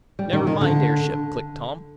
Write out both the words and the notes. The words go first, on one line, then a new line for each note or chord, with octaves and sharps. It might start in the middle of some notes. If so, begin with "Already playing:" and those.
"NEVER MIND AIRSHIP," clicked Tom.
G3
D#3
D#3
D3